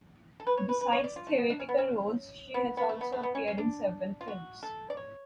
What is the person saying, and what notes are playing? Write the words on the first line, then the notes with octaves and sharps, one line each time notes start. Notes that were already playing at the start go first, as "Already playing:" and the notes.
Besides theatrical roles she has also appeared in several films.
A4
B4
C#5
B4
B4
C#5
D5
F4
A3
B3
D4
C#4
B3
C#4
B3
B3
A3
B3
A3
B3
C#4
C#4
D4
F4
F#4
A4
D5
C#5